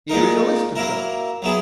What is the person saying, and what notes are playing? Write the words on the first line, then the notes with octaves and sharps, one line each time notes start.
"Here is a list of them."
A#2 G#3 D#4 A#4
F#3 A#3 E4 A#4
F#3 B3 E4 G#4